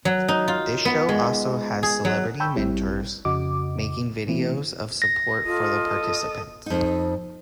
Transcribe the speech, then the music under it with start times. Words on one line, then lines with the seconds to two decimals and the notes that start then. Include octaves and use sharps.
This show also has celebrity mentors making videos of support for the participants.
0.05 F#3
0.28 D#4
0.48 F4
0.85 B3
1.09 G#3
1.83 G#4
2.05 F#3
2.40 G5 A5 B5 C#6 E6 G6
2.56 A1 G3 C4 E4 G4
3.25 F2 C#3 F#4 D#5 D6
4.27 B2 E3 A3 C4 E4
5.02 A#6
5.44 F4 A4 D#5
6.66 F2 D#4